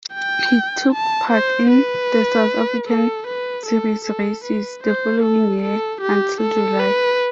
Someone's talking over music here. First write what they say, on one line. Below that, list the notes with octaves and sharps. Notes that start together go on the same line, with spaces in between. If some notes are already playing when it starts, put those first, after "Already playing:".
He took part in the South African series races the following year until July.
G5
A5
C5
B4
A4
B4
A4
A4
B4
C5
A4
A4
G4
A4
B4